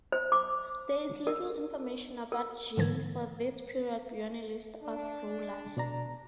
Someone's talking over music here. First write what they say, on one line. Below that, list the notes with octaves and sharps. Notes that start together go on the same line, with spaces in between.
There is little information about Jin for this period beyond a list of rulers.
C5
D6
A#4
A#4
G#2 D3 E3 G#6
D4
B2 D5 A#5